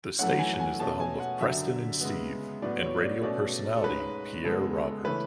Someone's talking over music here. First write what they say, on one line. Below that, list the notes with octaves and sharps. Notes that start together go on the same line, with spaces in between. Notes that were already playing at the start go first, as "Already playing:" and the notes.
The station is the home of "Preston and Steve" and radio personality Pierre Robert.
F#2 E3 A3 C#4 F#5
G#5
F#5
G#5
B2 A3 C#4 A5
G#5
F#5
F#2 D3 F#3 E5
C#3 G#3 B3
A2 F#3 B3 D5
C#5
D5
B2 A3 C#4 D5
A4
G#2 G#3 C#4 B4
C#3 G#3 B3 A4
A4
C#3 E3 A3 C#4 B4